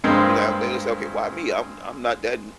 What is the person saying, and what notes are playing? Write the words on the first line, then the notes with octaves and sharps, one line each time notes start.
You know, I they would say, "Okay, why me? I'm I'm not that n
G2 G#3 A#3 C4